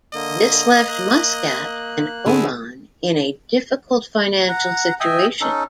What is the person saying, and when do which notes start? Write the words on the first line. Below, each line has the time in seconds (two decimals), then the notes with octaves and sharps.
This left Muscat and Oman in a difficult financial situation.
0.14 D3 A#3 D#5
0.88 A#3 F#6
2.26 D3 B3 E4 G#4
4.48 F#5 A#5
5.00 D#5 E5 G5 G#5
5.41 C#4 D#4 A4